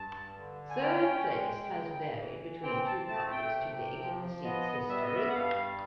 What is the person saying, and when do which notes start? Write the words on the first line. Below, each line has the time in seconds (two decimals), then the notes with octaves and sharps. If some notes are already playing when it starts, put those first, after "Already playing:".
Third place has varied between two parties to date in the seat's history.
Already playing: G2 A5
0.37 D3
0.70 G#5
0.82 C#4 G5
1.28 G#3
1.72 C#3
2.18 E3
2.63 C4 G5
2.86 A5
3.08 A3 A5
3.31 G5
3.53 C3
3.99 F3
4.44 B3 D#5
4.89 G3 E5
5.02 D#5
5.15 E5
5.29 F#5
5.34 G2 F5